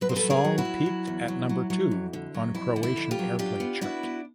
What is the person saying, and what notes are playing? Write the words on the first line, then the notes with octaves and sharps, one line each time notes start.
The song peaked at number two on Croatian Airplay Chart.
F#3 B4
C5
A4 B4
F#3
G#4 A#4
F#3
E4 F#4
F#3
F#3
E2
F#3
F#3
F#3
F2
D3
F#3
F2 E4
D3
E4
F2
F4 G4
F#3
D4 F4 G4
B3
D4 E4 F#4
B3